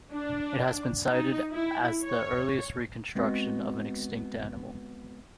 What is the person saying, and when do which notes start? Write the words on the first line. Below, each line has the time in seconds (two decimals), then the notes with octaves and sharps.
It has been cited as the earliest reconstruction of an extinct animal.
0.13 D4
1.10 D#4
1.53 E4
2.03 C#5
3.15 G#3 B3 C4 F#4 D#5